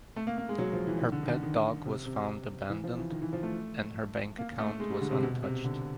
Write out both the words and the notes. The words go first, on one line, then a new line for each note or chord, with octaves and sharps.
Her pet dog was found abandoned and her bank account was untouched.
A3
A#3
A#3
G#3
F#3
F3
E3
D#3
D3
D#3
D3
D#3
C3
C3
E3
F3
E3
D#3
E3
F3
A3
A#3
A3
G#3
G3
D3
C3
B2
C3
D3